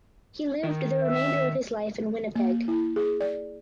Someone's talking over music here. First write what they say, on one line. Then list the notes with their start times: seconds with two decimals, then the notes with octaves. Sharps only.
He lived the remainder of his life in Winnipeg.
0.63 D#3 A#4
1.02 E5
2.36 A#3
2.68 E4
2.96 G#4
3.21 D5